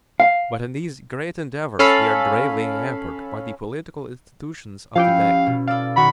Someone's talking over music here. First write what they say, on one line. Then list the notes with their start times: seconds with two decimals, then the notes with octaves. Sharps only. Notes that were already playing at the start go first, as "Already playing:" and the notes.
But in these great endeavors we are gravely hampered by the political institutions of today.
0.20 F5
1.79 C#4 A4 F5 B5
4.96 F3 C#4 E4 G4 F5 G5
5.46 B2
5.67 A4 D5 F5
5.97 D#3 F#4 B5